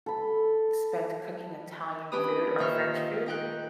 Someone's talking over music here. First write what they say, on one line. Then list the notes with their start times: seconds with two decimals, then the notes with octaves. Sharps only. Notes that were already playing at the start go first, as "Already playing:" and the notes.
spent cooking Italian food or French food,
0.06 A4 B5
2.12 C#4 D4 G4 B4 B5 D#6
2.58 A#2 D#3 C5 E5 C#6 F6
3.26 D#4 G5 F#6